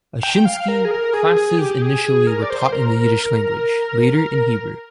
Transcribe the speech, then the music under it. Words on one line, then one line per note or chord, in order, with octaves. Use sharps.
Ashinsky, classes initially were taught in the Yiddish language, later in Hebrew.
G5
F5
A#4
G#4
A#4
G#4
G#4
G4
G#4
G#4
A#4
D5
C5
C5
A#4